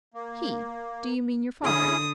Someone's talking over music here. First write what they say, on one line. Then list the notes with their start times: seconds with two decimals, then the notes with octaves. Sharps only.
"He--do you mean your father?"
0.14 A#3
1.63 D3 C#4 E4 G#4 D#6